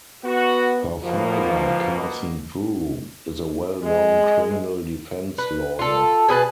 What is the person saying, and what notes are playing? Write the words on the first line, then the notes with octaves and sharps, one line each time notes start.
Her father, Carson Drew, is a well-known criminal defense lawyer.
B3 F#4
B2 F3 A#3
G#3
B4
F4 A4
B2 G#4 B4 A5